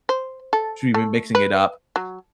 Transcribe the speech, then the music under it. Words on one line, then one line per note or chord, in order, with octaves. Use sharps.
so we've been mixing it up,
C5
A4
A3
B4
F#3